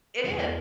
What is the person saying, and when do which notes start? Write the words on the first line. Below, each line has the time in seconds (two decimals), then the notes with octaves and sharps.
It is.
0.25 E2 G#3
0.39 A#3